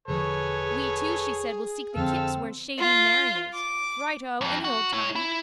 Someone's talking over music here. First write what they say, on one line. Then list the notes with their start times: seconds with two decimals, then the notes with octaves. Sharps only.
We two, she said, will seek the kips where shady Mary is. Righto, any old time.
0.08 E1 D3 F3 G#4 A4 B4 C#5
1.96 F2 D3 F3 C4 A4 F5 E6
2.78 F4
3.53 D6
4.41 F2 G#2
4.64 F#4
4.93 E4 C#5
5.15 E4